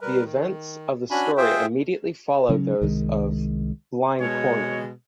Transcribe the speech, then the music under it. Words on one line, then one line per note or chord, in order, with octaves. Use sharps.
The events of the story immediately follow those of "Blind Corner".
G3 A#4 B4
D#3
C#4 D4 F#4 G#5 B5
F4 G#4 C5 E5 G5
C#3 F#3 C#4
C2 D#3 F3 G#3
B2 G#3 C#5